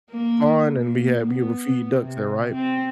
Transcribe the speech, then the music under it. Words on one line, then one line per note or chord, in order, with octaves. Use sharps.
pond, and we had we would feed ducks there, right,
A#3
A#3
B3
C3
C4